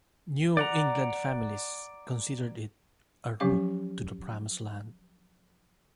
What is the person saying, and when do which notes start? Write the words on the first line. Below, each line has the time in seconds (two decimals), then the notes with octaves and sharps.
New England families considered it a route to the "promised land".
0.57 D5 F#5 A#5
3.40 F3 F#3 C#4 G4 F5 D6